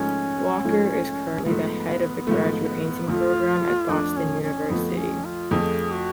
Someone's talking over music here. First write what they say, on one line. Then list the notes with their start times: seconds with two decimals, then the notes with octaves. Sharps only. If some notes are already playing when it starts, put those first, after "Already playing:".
Walker is currently the head of the graduate painting program at Boston University.
Already playing: G#2 F3 A3 C#4
0.65 G#2 F3 A3
1.46 G#2 F3 A3 B3
2.27 G#2 F3 A3
3.08 F2 F3 A3 F4
3.89 F2 F3 A3 D4
4.17 C#4
4.43 C#4
4.70 F2 F3 A3 B3
4.97 C#4
5.25 F4
5.51 F2 F3 A3 G#4
5.91 F#4